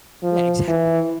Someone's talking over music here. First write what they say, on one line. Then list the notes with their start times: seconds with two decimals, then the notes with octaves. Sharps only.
Yeah, exactly.
0.23 F3
0.68 E3